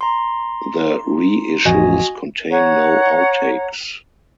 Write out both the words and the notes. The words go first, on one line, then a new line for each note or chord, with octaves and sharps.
The reissues contain no outtakes.
A#5 C6
A1 F2 F#4 D#5 G#5
C#5 F#5 A#5